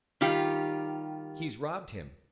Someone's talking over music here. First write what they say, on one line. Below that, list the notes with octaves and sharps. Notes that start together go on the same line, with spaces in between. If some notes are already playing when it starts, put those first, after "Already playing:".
He's robbed him!
D#3 G3 F4 G4